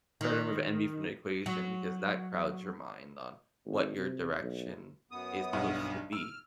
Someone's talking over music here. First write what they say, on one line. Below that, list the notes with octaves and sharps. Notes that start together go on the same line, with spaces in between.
Try to remove envy from the equation because that crowds your mind on what your direction is supposed to be
D#3
F#3
G#1
C3
B1
F#2 B3 D#6
B1 G2
E6 F6